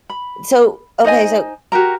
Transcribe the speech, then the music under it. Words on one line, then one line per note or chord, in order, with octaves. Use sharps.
So, okay, so,
B5
D#4 C5 D#5 G#5
F#4 G4 A#4 A#5